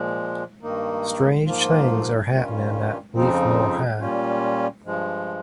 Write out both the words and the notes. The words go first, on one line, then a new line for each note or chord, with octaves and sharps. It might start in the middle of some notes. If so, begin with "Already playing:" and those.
Strange things are happening at Leafmore High.
Already playing: A#2 F3 G#3
G2 D#3 A#3 D#4
G#2 F3 A#3 F4
G2 D#3 G3 C#4 F4
F2 C#3 F3 C4 D#4
A#2 G3 C#4 F4
G2 F3 G#3